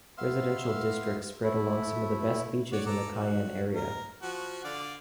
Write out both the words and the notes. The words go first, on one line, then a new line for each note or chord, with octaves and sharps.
Residential districts spread along some of the best beaches in the Cayenne area.
B3 E5 F5 C6 E6 F6
A3 E4
F#4 C#5 D5
A4 A#5 D6
F#4
A#4
F3 F#4
D3 D5 F5